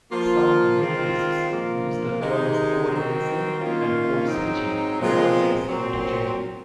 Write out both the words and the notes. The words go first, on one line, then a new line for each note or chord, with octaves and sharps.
Some linguists use the terms code-mixing and code-switching more or less interchangeably.
F3 A#3 F4
D#3 G#3 C4 F4
A#2 F3 A#3 F4
C3 D#3 G#3 D#4
D#3 F#3 C4
D#3 A#3 C#4 F4
G#2 F#3 C4 D#4
A#2 F3 G#3 C4 F4
A#2 F#3 C4